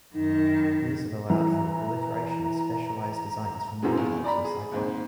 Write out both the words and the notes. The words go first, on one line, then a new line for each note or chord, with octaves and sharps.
These have allowed for a proliferation of specialized designs for many types of cycling.
F#2 D#3 D#4
E3 A#5
F#2 A2 C3 E3 F#3 G#3
E2 F4
D5 A#5 B5
G#4
D#2 G#2 C4